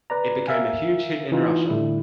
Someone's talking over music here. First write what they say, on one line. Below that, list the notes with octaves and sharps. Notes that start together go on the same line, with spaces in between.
It became a huge hit in Russia.
B4 D5 A#5
A#4 E5 F5 G#5
E3 D#4 F4
A2 D3 G3 E4